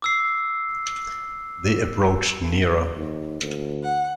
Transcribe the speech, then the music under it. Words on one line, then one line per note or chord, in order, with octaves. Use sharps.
They approached nearer.
D6 E6 C7
D#2
D2
F#5